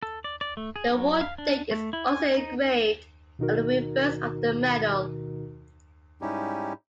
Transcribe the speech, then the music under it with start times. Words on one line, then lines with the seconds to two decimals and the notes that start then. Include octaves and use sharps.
The award date is also engraved on the reverse of the medal.
0.03 A4
0.24 D5
0.41 D5
0.57 A3
0.76 G#4
0.94 F#3
1.21 F5
1.38 D4
1.71 A3
1.93 E4
2.07 G#5
2.37 D#4
3.39 B2 D#3 D#4 F#4 A#4
6.21 G#2 G3 C#4 D#4 E4 G4